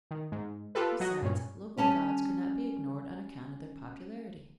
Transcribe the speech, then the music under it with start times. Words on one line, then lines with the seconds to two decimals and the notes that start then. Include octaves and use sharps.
Besides, local gods could not be ignored on account of their popularity.
0.11 D#3
0.32 G#2
0.75 F4 G4 A4 B4
1.00 F#3 F#4 D#5
1.22 G2 A#2 C#4
1.77 G3 C#4 G#5 A5